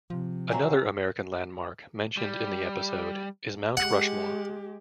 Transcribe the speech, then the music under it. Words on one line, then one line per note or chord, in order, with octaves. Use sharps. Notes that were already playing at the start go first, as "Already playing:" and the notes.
Another American landmark mentioned in the episode is Mount Rushmore.
C3 F3
F#3 C4 E5 G#5 A#5
G3
G#3 G4 F#5